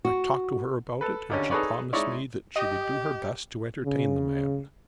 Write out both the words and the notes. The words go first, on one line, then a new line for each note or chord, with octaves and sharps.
I talked to her about it, and she promised me that she would do her best to entertain the man.
F#4
A4 B4
D#2 D3 C#4
D#4 G#4 A4 B4 C#5 D5
G#3 D#4 E4 C#5 D5
G4 D#5
C#3